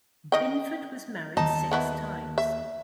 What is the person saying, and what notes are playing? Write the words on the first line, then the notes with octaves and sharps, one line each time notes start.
Binford was married six times.
D#3 D#5 G5
D#2 D#4 A5
D#3 B3 E4
E5